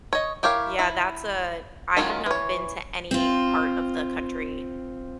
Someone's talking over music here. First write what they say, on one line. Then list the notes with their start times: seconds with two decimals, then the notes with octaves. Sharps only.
Yeah, that's a I have not been to any part of the country
0.13 C#5 D#5
0.43 E4 G4 A#4 C#5 F5
0.79 E4
1.97 D#3 F#3 G#3 C#4 F4
2.26 E3 C#5
3.11 C4 F4